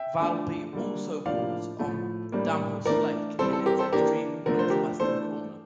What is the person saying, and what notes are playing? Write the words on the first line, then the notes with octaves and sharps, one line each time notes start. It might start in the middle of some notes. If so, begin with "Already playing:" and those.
Valby also borders on Damhus Lake in its extreme north-western corner.
Already playing: E5 G5
D3 F3 A3 D4
D3 G3 A#3
A2 F3 A#3 D4 D5 F5
A2 F3 A3
A2 G3 A#3 D4
E3 A3 D4 A#4 D5
E3 G3 C4 A4 C5
A4
G4 A#4
A4 C5
E3 A#3 D4 G4 A#4
D3 F3 A3 A#4
C5
G4 A#4
E3 A3 D4 A4 C5